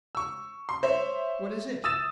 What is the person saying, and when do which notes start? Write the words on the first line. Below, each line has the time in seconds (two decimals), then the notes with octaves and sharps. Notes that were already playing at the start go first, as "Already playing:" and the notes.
"What is it?"
0.15 C#6 E6
0.69 C6
0.83 C5 C#5 E5
1.84 D#6 E6 A6 E7